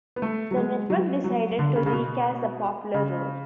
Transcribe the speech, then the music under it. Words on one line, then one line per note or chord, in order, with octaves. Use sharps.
The network decided to recast the popular role.
B3
A3
F#3
G#3
F#3
F#3
D3
C#3
C#3
B2
C#3